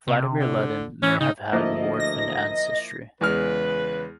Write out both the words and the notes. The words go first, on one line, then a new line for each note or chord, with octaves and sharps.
Vladimir Lenin may have had Mordvin ancestry.
C3
D3
E3 C#4
C#3 D#4
D2 F3 A#3 E4 D#5
A#6
E2 C#3 G#3 B4 F6